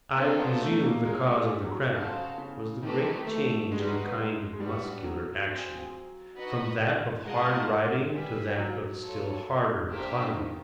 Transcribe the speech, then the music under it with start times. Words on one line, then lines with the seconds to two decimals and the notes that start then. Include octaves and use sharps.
I presume the cause of the cramp was the great change in the kind of muscular action, from that of hard riding to that of still harder climbing.
0.17 A#3 C4 D4 F4 A4
0.39 B3
0.61 A3
0.83 A#3
1.05 G#3 A#3 D#4 G#4 C#5
1.35 G3
1.64 F#3
1.94 C#3 F#4 A4 C5 F5 A5
2.38 C#3
2.82 D#3 A3 C4 D#4 G4 B4
3.27 A3
3.71 G#3 D#4 F#4 B4
3.80 G3
3.87 G#3
4.53 G#3
4.60 G3 B3 D4 F#4
5.04 F#3
5.48 C4 F4 G#4
6.37 D#4 F#4 B4 D#5
7.25 G#3 F4 A#4 D#5 F#5 A5
8.14 G3 G#4 B4 E5 G5
8.58 F#3
9.03 F4 A4 C#5
9.91 A#3 D4 G4 C5 E5
10.35 D#3